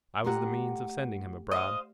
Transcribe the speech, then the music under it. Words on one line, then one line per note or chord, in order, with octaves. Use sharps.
I was the means of sending him abroad.
A3 G4 F#5 A#5 C6
C5 D#5 F5